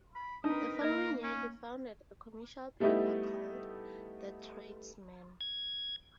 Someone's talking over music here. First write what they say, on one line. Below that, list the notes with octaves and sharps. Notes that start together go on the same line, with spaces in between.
The following year he founded a commercial paper called "The Tradesman".
B5
C4 D4 D#4 A#4 B4 D#6
A#3 A#4 D#5 G#6
C#4
G3 A3 B3 D#4 E4 G4
G#6